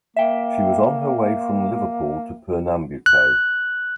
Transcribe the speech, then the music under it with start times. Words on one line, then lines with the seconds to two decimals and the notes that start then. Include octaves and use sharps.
She was on her way from Liverpool to Pernambuco.
0.16 A#3 E5 G5
3.06 F#6